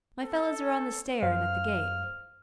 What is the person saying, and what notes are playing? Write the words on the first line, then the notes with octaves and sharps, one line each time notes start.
'My fellows are on the stair and at the gate.
A4
F#2 C5 F5 F6